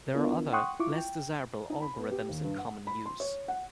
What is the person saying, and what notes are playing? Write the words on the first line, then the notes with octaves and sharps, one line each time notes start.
There are other, less-desirable algorithms in common use.
B3 D4 E4 F4 A#4
F#5 G5 C6 C#6 D#6 F#6
E4 F4 C#6 D6
G5
D#4
B5
B3
G4
D#2
G2
F#5
B5
C6
C#5
F#5